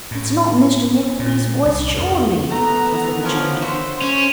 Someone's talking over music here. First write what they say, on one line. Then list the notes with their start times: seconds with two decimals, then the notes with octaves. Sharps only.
'That's not Mr Nickleby's voice, surely?' was the rejoinder.
0.11 A2
1.19 A#2
1.65 C2
1.98 F2
2.50 A3 B3 A#5
2.87 A4
3.23 E3 F3 C#4 A#4
3.62 F#4 C5 E5
4.02 C#4